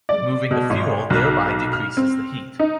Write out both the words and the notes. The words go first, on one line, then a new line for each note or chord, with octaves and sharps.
Removing the fuel thereby decreases the heat.
D5
B2
G#1
B1
F6
C4
D#4